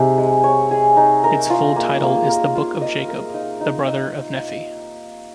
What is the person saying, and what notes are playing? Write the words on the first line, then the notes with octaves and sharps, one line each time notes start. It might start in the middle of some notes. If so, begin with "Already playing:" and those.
Its full title is The Book of Jacob: The Brother of Nephi.
Already playing: C3 D#4 G#4
G#3
C#5
G#4
D#4
A#4
F4
A#3
A#3
A#4
F4
D#5
A#4
D#4
D#4
D#5